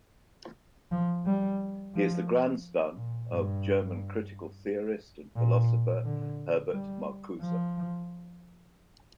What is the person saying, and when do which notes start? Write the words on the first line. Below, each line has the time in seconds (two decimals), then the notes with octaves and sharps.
He is the grandson of German critical theorist and philosopher Herbert Marcuse.
0.91 F3
1.26 G3
1.94 F3
2.97 A#2
3.31 G2
5.36 A#2
6.04 D3
6.73 G3
7.41 F3